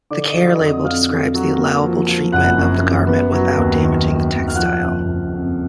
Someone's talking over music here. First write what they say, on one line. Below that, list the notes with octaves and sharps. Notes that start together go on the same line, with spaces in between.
The care label describes the allowable treatment of the garment without damaging the textile.
D3 D5 D6
D#5 D#6
F#3
D#5 D#6
F2
D#5 D#6
F2 F5 F6
D3
F#3
A#3
F3
F3
F#1 F#5 F#6
F#2
F#2
B3
F#3
D#2
D#3
F#3
D#2
F6
F3 F#5 F#6
F#1
F#1
F2